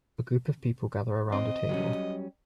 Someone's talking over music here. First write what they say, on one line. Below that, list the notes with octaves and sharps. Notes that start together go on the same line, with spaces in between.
A group of people gather around a table.
C4 D#5
F#3 G3 C#4